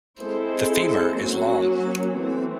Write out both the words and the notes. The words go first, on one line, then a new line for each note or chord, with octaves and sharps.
The femur is long.
G#3 C4 E4 A4 C5
F#3 A#3 C#4 F#4
E3 A3 C4